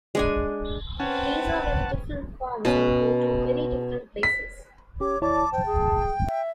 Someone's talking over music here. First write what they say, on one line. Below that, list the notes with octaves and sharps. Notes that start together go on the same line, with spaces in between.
These are very different forms and go to very different places.
G#3 D4 G#5
C4 C#4 B4 F#5 A5
B2 C#4 B4 B5
B6
C#4 G4 C#5 D6
D#2 E4 C#5 D5 A5 D6
D#2 C5 G5
G#4
E5